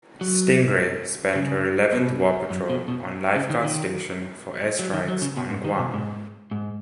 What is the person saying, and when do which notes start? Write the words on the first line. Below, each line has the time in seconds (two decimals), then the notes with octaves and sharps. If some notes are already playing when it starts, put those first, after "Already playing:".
"Stingray" spent her eleventh war patrol on lifeguard station for air strikes on Guam.
0.21 F#3
1.35 C#3
1.93 B2
2.50 F#2
2.69 B2
2.88 B2
3.36 C#3
3.50 D#3
3.64 D#3
4.79 F#3
4.93 D#3
5.08 F#3
5.22 C#3
5.37 B2
5.50 G#2
5.64 D#3
5.79 B2
5.94 G#2
6.51 G#2